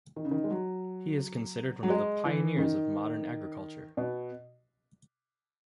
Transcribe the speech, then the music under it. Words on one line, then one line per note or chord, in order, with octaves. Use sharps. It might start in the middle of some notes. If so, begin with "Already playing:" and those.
He is considered one of the pioneers of modern agriculture.
D#3
C#3
D#3
G#3
F#3
F#3
G#3
E3
C#3
D#3
B2